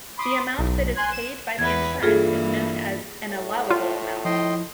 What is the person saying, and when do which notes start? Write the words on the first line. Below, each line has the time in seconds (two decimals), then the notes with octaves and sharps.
The amount that is paid by the insurance is known as an allowable amount.
0.17 B5 C6 D6 D#6
0.58 B1
0.95 G#5 C6 F#6 G#6
1.12 E7
1.59 E2 B4 G#6
2.03 G2 E3 A#3 F4 G#4 A4
3.27 A2
3.70 F4
4.25 F3 E4 D#5 G5 C6